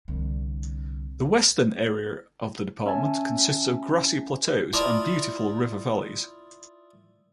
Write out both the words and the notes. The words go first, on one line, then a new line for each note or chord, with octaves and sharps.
The western area of the department consists of grassy plateaus and beautiful river valleys.
C2 D3
C#4 E5 G#5 A5
E4 F4 D5 D#5 A5 A#5